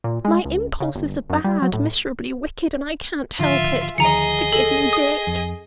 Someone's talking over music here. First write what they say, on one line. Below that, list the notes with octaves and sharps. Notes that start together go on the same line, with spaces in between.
My impulses are bad--miserably wicked,--and I can't help it; forgive me, Dick!
A#2
G#3
C#2
C#3
G1
F#2
G3
F#3
A2
G#1 D3 F3 F4 E5
D2 D#3 F3 G#4 D#5 A#5 C#7
A4
D#6
F2